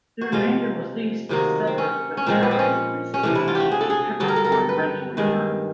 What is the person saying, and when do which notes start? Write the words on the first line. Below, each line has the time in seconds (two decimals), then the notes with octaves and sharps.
The remainder was leased to settlers with Maori receiving only a "peppercorn" rental return.
0.21 F#4
0.32 C3 F3 G#3 F4
1.29 C3 D#3 F#3 A#3
1.67 C4
1.78 C#4
2.17 C#4
2.26 A#2 F3 G#3 C4
2.43 B3
2.51 C4
2.59 C#4
3.14 C#4
3.23 C3 E3 A3 D4
3.35 E4
3.48 F4
3.55 G4
3.60 F#4
3.72 G#4
3.81 A4
3.90 G#4
4.20 G2 D3 F#3 A4
4.28 A#4
4.36 A4
4.45 A#4
4.52 A4
4.69 B4
5.17 G2 D#3 G#3